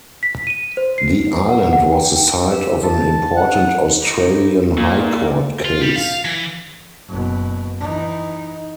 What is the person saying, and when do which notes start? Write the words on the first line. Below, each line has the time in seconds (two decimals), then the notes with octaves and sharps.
The island was the site of an important Australian High Court case.
0.23 B6
0.47 D#7
0.77 C5
0.98 C7
1.48 F#5
1.73 F#5
1.93 G5
2.50 G4 E6
2.83 A5
3.36 F#5
4.00 D#4 E4 G4 A4 C5 D#5
4.78 A#2
5.65 F4
5.81 G3
5.96 F5
6.25 E3
7.10 F#1 B2
7.80 E3 D#4